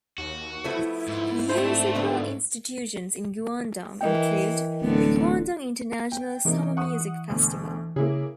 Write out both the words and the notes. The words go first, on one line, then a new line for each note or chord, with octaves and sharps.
Musical institutions in Guangdong include the Guangdong International Summer Music Festival.
D#2 F#4
F3 A3 B3 E4
G#2
A3 C4 D4 C5
G2 A#2 D3 B3
E3 A#4 D#5 G5
D1 D3 B3
G5
C3 E3 A#3 D#4
F#5 C#6 D#6
D2 B2
C#3 A#3 E4 G#4